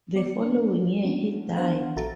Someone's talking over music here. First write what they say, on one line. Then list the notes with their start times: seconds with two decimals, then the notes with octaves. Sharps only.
The following year he died.
0.15 B3 D5 C#7
0.41 D4
1.02 A3 B3 C#4 D4 E4 F#4
1.56 B3 D4 C5 F5 F#5
1.96 A#1 F#4 A4 E5 A#5 A6